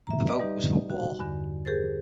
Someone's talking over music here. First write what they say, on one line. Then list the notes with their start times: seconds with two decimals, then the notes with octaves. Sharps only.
The vote was for war.
0.07 E5 A#5
0.27 B4 D5 D#5
0.40 G3 D#4 G4
0.90 F#4
1.19 E2 G2 D3
1.65 G4 G#4 A#4 C5 A6